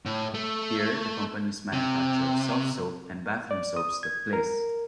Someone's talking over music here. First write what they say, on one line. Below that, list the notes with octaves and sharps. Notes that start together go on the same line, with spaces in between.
Here the company's manufacture of soft soap and bathroom soaps took place.
A2
A3
C3
D5
D#6
G#6
A#4